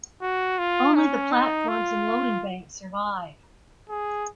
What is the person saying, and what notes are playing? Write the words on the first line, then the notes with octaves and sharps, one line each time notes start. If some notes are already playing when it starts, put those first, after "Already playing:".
Only the platforms and loading bank survive.
F#4
F4
C#4
D#4
F4
G#4